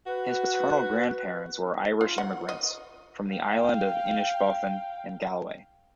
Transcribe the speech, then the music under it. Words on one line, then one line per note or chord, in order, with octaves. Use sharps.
His paternal grandparents were Irish immigrants, from the island of Inishbofin in Galway.
F#4 B4
F4
F#5
D#5
F5 G5